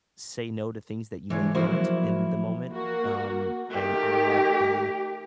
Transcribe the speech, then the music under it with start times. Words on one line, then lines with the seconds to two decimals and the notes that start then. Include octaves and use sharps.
say no to things that you may want in the moment, um, and I have a,
1.30 E3 G#3 C#5
1.55 F3 F#3 A#3 E4 F#4 C5
2.71 A#3 F#4
3.70 D#3 A3 G4